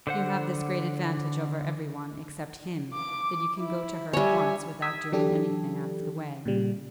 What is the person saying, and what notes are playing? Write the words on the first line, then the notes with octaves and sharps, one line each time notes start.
You have this great advantage over every one, except him, that you can go to her at once without doing anything out of the way.
D3 C5 F#5
D6
E4
G3 C#5 E5 G#5
D#6 E6 G#6 B6
E3 F#3 D4 G4 A4
A#2 C#3 G3